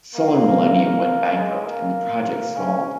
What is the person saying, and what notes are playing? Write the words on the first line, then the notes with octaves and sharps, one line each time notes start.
Solar Millennium went bankrupt and the project stalled.
A#3
A#3
G#3
A#3
A#3
C#4